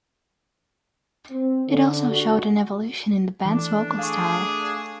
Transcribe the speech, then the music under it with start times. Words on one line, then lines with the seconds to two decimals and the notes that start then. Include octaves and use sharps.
It also showed an evolution in the band's vocal style.
1.30 C4
1.68 D3
2.11 F#4
3.45 E3 A3 D4
3.98 G#4 F5 C#6